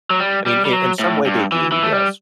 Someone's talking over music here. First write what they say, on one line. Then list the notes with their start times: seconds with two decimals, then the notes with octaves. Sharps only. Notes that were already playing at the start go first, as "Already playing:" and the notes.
I mean, i in some way they do, yes,
0.10 F#3
0.20 G3
0.46 G3
0.65 G3
0.73 F#3
0.99 A2
1.26 G2
1.52 E3
1.72 E3
1.83 A3
1.93 G3